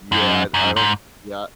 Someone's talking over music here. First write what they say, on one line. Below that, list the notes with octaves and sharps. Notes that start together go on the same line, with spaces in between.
Yeah, I I don't, yeah
F#2
F#2
G#2